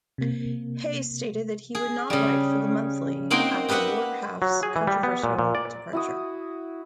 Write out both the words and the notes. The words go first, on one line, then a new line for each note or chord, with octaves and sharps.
Haigh stated that he would not write for "The Monthly" after Warhaft's controversial departure.
C3 A#3
G#4
C#3 G3
A#3 C4 D#4 F#4 G5
G4 B4 D#5 E5 F#5
F#3
G#4
E3
G3
B3
A#2
A#2
D5
E4 F#4 D#6